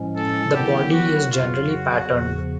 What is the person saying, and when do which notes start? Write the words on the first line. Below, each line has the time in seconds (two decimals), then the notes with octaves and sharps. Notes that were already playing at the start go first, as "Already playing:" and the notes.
The body is generally patterned.
Already playing: A2 F3 G#3 C#4
0.17 A4
0.55 D#3 F#3 B3 E4 G4
0.93 F#4
1.30 F2 C#3 F#3 F4
1.68 F#4
2.06 E2 C#3 F3